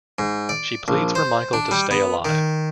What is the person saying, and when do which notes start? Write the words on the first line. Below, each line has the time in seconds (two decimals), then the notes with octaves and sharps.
She pleads for Michael to stay alive.
0.19 G#2
0.49 D5
0.88 A#1
1.15 C5
1.53 D4
1.71 G3
1.91 B3
2.25 D#3